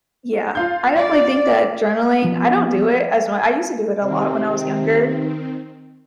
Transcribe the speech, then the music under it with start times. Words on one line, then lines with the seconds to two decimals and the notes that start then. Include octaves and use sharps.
Yeah. I definitely think that journaling I don't do it as mu I used to do it, a lot, when I was younger,
0.55 F4 F5 G6
0.95 D5
2.23 F3 B3
4.03 C3 D#3 C4